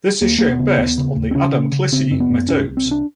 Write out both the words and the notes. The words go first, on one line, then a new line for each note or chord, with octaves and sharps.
This is shown best on the Adamklissi metopes.
D#2 A#3
D#2 A#3
B3
C#3
D#2 B3
C#3
D#2
C4
C#3 C#4
C#3
C#3
C#3 C4
F#2 C4
B3
F#2
C2 C#4
C2
C4
C2
D4